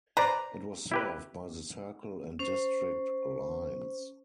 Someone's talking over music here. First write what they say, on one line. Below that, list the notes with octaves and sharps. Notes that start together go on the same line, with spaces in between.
It was served by the Circle and District lines.
B4 C5 D5 A#5
E4 G4 B4
C#4 C5